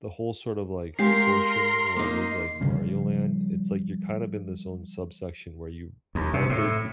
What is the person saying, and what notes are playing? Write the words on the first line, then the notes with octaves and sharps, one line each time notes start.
the whole sort of, like, portion where it is, like, Mario Land, it's like you're kind of in this own subsection where you how they've dec
G#3 G4 A#4 F5 C6 C7
A#3 D#4
C#3 F3 G3 C#4
D#2
C3
A2